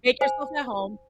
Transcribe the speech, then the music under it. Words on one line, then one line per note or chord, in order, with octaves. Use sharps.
"Make yourself at home."
C5 G#5